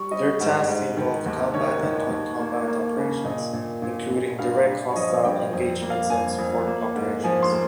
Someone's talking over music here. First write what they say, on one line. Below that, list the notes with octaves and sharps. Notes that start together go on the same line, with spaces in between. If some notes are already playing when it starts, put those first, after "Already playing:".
Their tasks involve combat and non-combat operations, including direct hostile engagements and support operations.
Already playing: G3 C#6
G3 D#5
G#2
G#2
D#3
D#2
D#3 C#5
D#3
D#2
A#3
A#3
C#3
A#2 D#5
A#2
A#2
A#2
G2 F5
G2
C#5
F3 D#5
G2 G5
F2 G5
A#3
F5
F2 G#5
F2
A#3
G#2
F3 G#5
C6
A#3